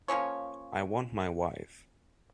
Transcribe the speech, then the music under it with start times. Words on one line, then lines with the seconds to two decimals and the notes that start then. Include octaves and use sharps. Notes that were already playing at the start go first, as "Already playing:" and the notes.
I want my wife.
0.08 F3 A#3 C#4 C#5